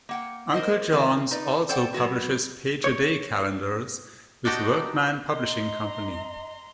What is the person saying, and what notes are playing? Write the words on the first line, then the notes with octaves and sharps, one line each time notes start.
Uncle John's also publishes Page-a-Day calendars with Workman Publishing Company.
A#3 F#5 G5
A#4 C5 D#5
D#3 F3 C4
D#4 B4 D5
A4 C5 D5 F#5 G5
F#3 B3 F#4 B4
C#5
D4 D#4 F#4 G4
D#5 A#5 C6